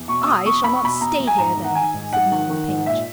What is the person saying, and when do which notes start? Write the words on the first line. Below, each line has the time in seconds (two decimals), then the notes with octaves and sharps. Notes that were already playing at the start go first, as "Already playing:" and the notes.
"I shall not stay here, then!" said Madam Page.
Already playing: E2
0.08 B2 C#6
0.22 E6
0.27 B2 D#6
0.46 E2 C#6
0.64 E2 B5
0.75 C#6
0.83 B2 B5
1.01 B2 A#5
1.20 E2
1.27 G#5
1.38 G#2 A#5
1.57 D#3
1.64 F#5
1.75 D#3 G#5
1.94 G#2
2.13 G#2 F#5
2.31 D#3
2.50 D#3
2.68 G#2
2.86 A#2 E5